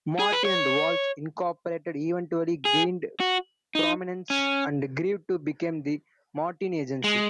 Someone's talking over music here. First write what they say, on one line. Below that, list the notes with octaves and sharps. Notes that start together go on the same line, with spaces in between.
Martin and Woltz Incorporated eventually gained prominence and grew to become The Martin Agency.
G#4
B4
C#5
G#4
F#4
D#4
C#4
G#3